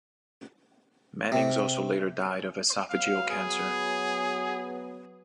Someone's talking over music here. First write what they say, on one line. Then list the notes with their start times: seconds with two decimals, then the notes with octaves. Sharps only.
Manings also later died of esophageal cancer.
1.32 C3
2.90 F#3 B3 F5
3.30 G#4